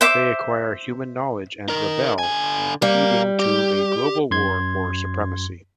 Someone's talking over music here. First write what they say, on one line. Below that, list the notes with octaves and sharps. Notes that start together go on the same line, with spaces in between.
They acquire human knowledge and rebel, leading to a global war for supremacy.
C5 E5 D6
D#4 A#4
D3 G#5
G3 A#4 F5
G4
F#2 C6 G#6